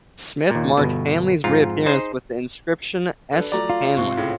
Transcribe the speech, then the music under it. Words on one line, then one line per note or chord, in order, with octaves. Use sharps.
Smith marked Hanley's reappearance with the inscription S Hanley!
D#2 A#2
G1 B2
F2 G#2 F4 A#5
D#4 G#4 C5
D4 A4 B4
F3 F#3 A3 D5 A#5
F4
G#2 C3 C#6
A2 C#3